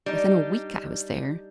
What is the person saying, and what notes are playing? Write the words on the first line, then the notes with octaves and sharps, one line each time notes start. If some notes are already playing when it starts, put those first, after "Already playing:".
Within a week I was there.
G3 D4 D#4